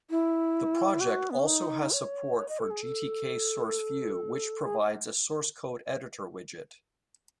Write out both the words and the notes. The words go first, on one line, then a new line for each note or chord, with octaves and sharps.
The project also has support for GtkSourceView, which provides a source code editor widget.
E4
F#4
B3
C#4
D#4
C#5
C#5
D#5
A4
G#4
A4
G#4